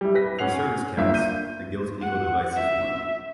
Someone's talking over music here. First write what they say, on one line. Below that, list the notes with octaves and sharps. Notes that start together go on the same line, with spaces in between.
For service caps, a gilt eagle device is worn.
G3 E4
B4 A#6 B6
C#4 F#5 C7 F7
G1 A#3 E5
G6 D#7
F#5
E5